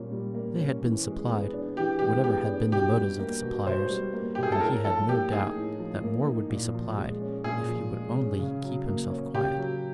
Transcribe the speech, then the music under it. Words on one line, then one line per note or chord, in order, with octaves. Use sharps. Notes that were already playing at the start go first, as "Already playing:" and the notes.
They had been supplied, whatever had been the motives of the suppliers; and he had no doubt that more would be supplied if he would only keep himself quiet.
Already playing: A#2 G3 A#3 C#4
G3
A#3
C#4
E3
G#3
B3
D4
E3 G4
G#3 G4
B3 G4
D4
B2 G4
G3
A#3
B2
B2 C5
G3
A#3
B2 G4
G#4
A4
A2 A#4
F3 A4
A#3 G4
D#4 G#4
A2
F3
A#3
D#4
A#2
F3
G#3
C#4
A#2 G#4
F3
G#3
C#4
C#3
F#3
A#3
C#4
C#3 G4
F#3